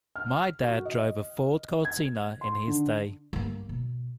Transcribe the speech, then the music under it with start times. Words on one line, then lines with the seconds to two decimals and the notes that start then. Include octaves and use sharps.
My dad drove a Ford Cortina in his day.
0.16 F6
0.63 F#4
0.85 D#5
1.85 G#6
2.41 C6
2.67 D3
3.33 G2 A#3
3.69 B2